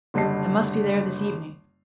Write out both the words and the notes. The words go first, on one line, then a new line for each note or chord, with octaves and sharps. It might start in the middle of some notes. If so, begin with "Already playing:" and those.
"I must be there this evening."
F#1 D3 G3 D#5 A5 C7